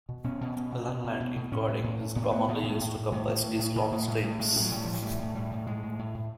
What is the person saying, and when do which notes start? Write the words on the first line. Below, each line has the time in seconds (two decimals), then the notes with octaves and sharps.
Run-length encoding is commonly used to compress these long streams.
0.09 B2
0.24 B2 C#4
0.41 B2
0.56 B2
0.72 B2
0.88 B2
1.04 B2
1.20 B2
1.36 B2
1.51 A2 C#4
1.68 A2
1.84 A2
2.00 A2
2.15 A2 B3
2.24 C4
2.31 A2 B3
2.48 A2
2.63 A2
2.80 A2
2.96 A2
3.12 A2
3.28 A2
3.44 A2
3.59 A2
3.76 A2
3.91 A2
4.07 A2 G#3
4.23 A2
4.39 A2 G#3
4.56 A2 F#3
4.72 A2 G3
4.85 A2 F3
4.94 F#3
5.03 A2 G3
5.19 A2
5.34 A2 G3
5.51 A2
5.66 A2 G#3
5.83 A2
5.99 A2
6.15 A2